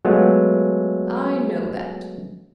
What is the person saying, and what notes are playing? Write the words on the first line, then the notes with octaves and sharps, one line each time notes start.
I know that.
F#3 G#3 A3 B3 F4